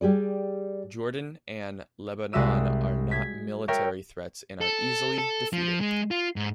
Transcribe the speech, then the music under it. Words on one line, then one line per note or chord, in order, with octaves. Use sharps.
Jordan and Lebanon are not military threats and are easily defeated.
G3 G4 G#4 D5
C2 G#3 F#4 E5 E6 D#7
G#6 B6
A#4 C#5 E5 G5
A4
A4
F3
G#3
F4
G#2